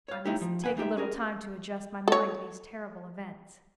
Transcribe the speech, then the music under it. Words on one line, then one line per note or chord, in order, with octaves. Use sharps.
I must take a little time to adjust my mind to these terrible events.
C#5 F5
A3 D#4 E4 G4
F3
D#2 B4 F#5 G#5
A3 D#4 G4 E5
C#4 G#4 A#4
A4 C#5